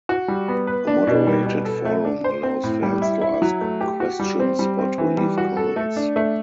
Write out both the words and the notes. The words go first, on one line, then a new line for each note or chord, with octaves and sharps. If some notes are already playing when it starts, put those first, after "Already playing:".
A moderated forum allows fans to ask questions or to leave comments.
F#4
G3
B3
B4
D4
B2
G3
B2
A4
A3
D4
C5
C4
A2
G3
E4
E4
F#3
A3
G4
F#4
G3
C4
G3
C4
E3
G3
F#4
A4
A3
D4
A3